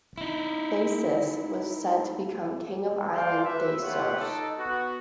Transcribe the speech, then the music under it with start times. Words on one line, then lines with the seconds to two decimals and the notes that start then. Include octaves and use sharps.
Thasus was said to become king of island Thasos.
0.18 D#4 E4
3.13 A4 D5 F5 G5 C6 D6
3.45 B4 E5
3.82 A3 F4 G4 B4 C#5 F#5
4.18 D#4 A4 D6
4.56 B3 F#4